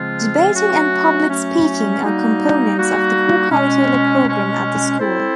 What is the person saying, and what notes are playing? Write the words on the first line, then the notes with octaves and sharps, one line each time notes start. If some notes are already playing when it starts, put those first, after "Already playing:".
Debating and Public Speaking are components of the co-curricular program at the school.
Already playing: C#3 F3 G#3 C4 F4
F#3 A3 C#4 F#4
F#3 A3 C#4 F#4
G3 A#3 D#4 F#4
G3 A#3 D#4 F#4
B2 G#3 C#4
B2 G#3 C#4
C4 E4 A4 C5